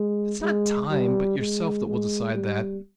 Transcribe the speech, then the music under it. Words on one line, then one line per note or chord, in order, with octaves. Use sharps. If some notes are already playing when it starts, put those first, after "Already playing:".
It's not time, but yourself that will decide that.
Already playing: G#3
G#3
G3
G#3
G#3
G3